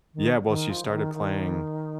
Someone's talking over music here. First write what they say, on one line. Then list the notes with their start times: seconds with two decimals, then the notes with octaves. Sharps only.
Yeah, well, she started playing
0.13 D#3
0.47 D#3
0.69 F3
0.83 C#3
0.91 D#3
1.14 D#3